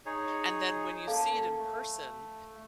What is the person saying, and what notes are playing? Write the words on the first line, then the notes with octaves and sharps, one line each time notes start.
And then when you see it in person,
D#4 G#4 C#5
A#3 C#4 A4 F5 A5
A3